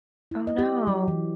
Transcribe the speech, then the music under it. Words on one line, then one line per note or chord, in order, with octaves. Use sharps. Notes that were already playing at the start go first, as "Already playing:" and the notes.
Oh no.
E4
D#5
G4
F#3
E3